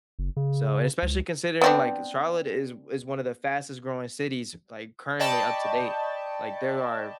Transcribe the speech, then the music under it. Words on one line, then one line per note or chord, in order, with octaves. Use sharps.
so and, especially, considering, like, Charlotte is is one of the fastest-growing cities, like, currently, up to date. Like, there are
F#1
C#3
C#2
B3 C4 D4
D5 D#5 G5 A5 B5 C#6